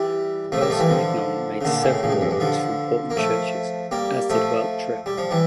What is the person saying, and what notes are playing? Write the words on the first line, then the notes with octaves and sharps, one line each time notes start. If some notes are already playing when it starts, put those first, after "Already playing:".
Welte Mignon made several organs for important churches as did Welte-Tripp.
Already playing: E3 G3
F3 A3
G3 A#3
F3 A3
E3 G3
D3 F3
C#3
A#2 D3
A2 C#3
A2 C#3
G2
F2
G2
D3 F3
A#3
F3 A3
G3 A#3
F3 A3
G3
F3
E3 G3